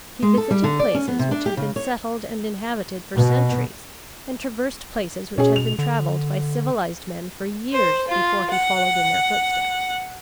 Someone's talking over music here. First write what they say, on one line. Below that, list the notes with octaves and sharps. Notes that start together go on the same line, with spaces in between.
He visited places which had been settled and inhabited for centuries and traversed places which had been travelled by civilized men for years before he followed in their footsteps.
G#3
A4
G3
D3
D5
C#4
B3
C3
D4
G4
C#3
C#5
B2
B2 C#4 G#4
F7
D3
C5
F4
F#5